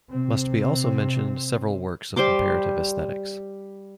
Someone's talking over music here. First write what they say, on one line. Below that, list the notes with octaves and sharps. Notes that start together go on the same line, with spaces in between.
Must be also mentioned several works of comparative aesthetics.
C3 C4
G3 C5 C6 D6